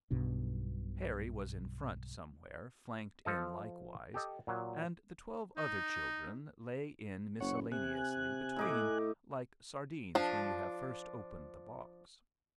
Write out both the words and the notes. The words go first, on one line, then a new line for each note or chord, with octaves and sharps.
Harry was in front somewhere flanked in likewise, and the twelve other children lay in miscellaneously between, like sardines when you have first opened the box.
B1 G2 B2 D4
F3 A4 D#5
G4 A4 D#5
A#2 F#3
D#4
F#1 C#5 F#5 C#6
C3 G#5 F#6
A2 D#4 D6
F3 D4